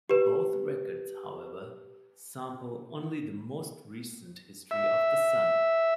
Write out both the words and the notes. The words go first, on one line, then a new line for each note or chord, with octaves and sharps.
Both records, however, sample only the most recent history of the Sun.
G4 B4
E5